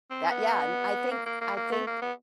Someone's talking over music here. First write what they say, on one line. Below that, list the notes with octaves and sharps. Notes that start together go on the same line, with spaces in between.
that, yeah, and I think I think,
C4
B3
A#3
A#3
A#3
A#3
A3
A#3
B3